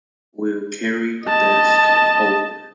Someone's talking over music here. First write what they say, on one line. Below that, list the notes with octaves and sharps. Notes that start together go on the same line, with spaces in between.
We'll carry the desk over.
D#5 A5